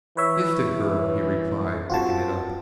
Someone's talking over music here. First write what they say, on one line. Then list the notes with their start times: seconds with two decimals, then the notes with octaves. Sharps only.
"Gifted girl!" he replied, picking it up.
0.17 E3 B4 C#5 E5
1.90 C4 F4 F#4 A5